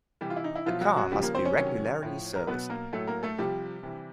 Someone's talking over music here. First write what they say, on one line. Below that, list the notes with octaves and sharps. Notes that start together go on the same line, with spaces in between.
A car must be regularly serviced.
C3 E3 G3 G4
F4
E4
D#4
E4
B2 F3 F#3 F4
F#3 F#4
F#3 F#4
C#3 F3 G3 G4
A#3 A#4
C4 C5
C#4 C#5
C3 D#3 F#3 C#4 C#5
A2 F3
A#4
B2 F#3 B3 B4
A#3 A#4
A2 F#3 A3 A4
A#3 A#4
A3 A4
C3 F3 G3 G4
C3 E3